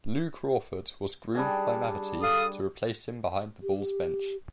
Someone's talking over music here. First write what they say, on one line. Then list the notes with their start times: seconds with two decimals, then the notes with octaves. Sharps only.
Lou Crawford was groomed by Mavety to replace him behind the Bulls' bench.
1.35 G3 D4 G#4
2.22 A4 F5 D#6
3.63 G4